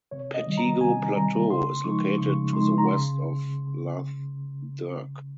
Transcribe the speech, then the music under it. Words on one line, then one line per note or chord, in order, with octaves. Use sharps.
Pettigo Plateau is located to the west of Lough Derg.
C3 C#5
D#5
D#3 G3
A#5
C3 G#5
D#3 G3 A#5
C#3 C6
F3 G#3 D#4 C#6
C#3 C#6
F3 G#3 D#4 C6
A#5
C#3 C6